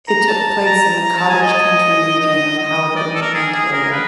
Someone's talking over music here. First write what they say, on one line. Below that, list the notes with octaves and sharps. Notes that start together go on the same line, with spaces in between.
It took place in the cottage country region of Haliburton, Ontario.
A#5
A5
A#5
A#5
A5
G#5
D#5
D#5
D#5
D5
A4
A#4
G#4
G#4
A#4
B4